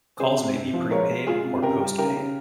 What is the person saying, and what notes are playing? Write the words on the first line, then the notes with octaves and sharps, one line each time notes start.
Calls may be prepaid or postpaid.
C3 G#4 C5
C3
C3
F3
G#3 A#4 C#5
G#3
G#3 F4 G#4
C3
C#3 G4 A#4
G3
C#3 G4 A#4
C#3